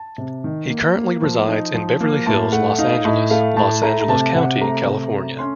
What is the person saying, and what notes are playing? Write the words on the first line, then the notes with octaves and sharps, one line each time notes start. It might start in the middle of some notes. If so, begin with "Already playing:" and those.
He currently resides in Beverly Hills, Los Angeles, Los Angeles County, California.
Already playing: A5
C3
D#3
A#3
A#3
F3
D#4
F3
A#3
A2 A5
A3 F#5
D#4 F5
A2 D#5
A3 F5
A2 A5
A3 A#5
A#5
C3 A5
C3 F#5
A3 A#5
C3
A3
C#4 C6